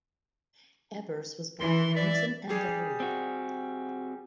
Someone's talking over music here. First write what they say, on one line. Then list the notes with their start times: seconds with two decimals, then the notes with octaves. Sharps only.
Evers was born in Winsen an der Luhe.
1.60 E3 C6
1.96 D5 E5
2.49 G3 G#4
3.00 C4 F#4